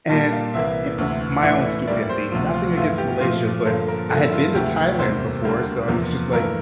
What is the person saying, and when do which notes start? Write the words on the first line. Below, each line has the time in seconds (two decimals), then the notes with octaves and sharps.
And, yeah it's my own stupidity, nothing against Malaysia, but I had been to Thailand before, so I was just like,
0.09 A#2 G3 A#3 A5
0.33 F5
0.54 C2 C3 E3 A#3 E5
0.98 D2 C3 E3
1.43 A2 E3 A3 E5
1.87 A2 G3 A#3 D5
2.09 C5
2.32 D2 C3 F3 F4
2.54 F4
2.76 G2 E3 A3 F4
2.98 G4
3.20 A#2 F3 A3 F4
3.65 G2 D3 F3 A#3 A4
3.88 A#4
4.10 G2 F3 A#3 A4
4.23 E4
4.33 F4
4.55 D2 C3 E3 A3 G4
4.99 E2 C3 G3 A#3 C5
5.44 D2 D3 G3 A#3
5.88 E2 C3 F3 A#3
6.32 G2 E3 A3 A#4